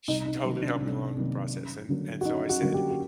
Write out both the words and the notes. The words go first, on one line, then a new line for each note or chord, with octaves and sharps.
She totally helped me along with the process. And and so I said,
C2 D#4
D#4
C3 D#3 F#3 A#3
D4
C2
C3 D#3 F#3 A#3
F#2
D3 F#3 A#3
F#4
F#2 D#4
F#4
D3 F#3 A#3 F#4
G4
F#4